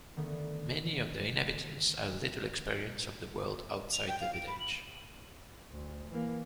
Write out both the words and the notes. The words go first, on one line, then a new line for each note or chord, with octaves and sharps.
Many of the inhabitants have little experience of the world outside the village.
D3 D#3 A3 B3
F7
G5
F5
D7
B5
F#7
D2
E3 A#3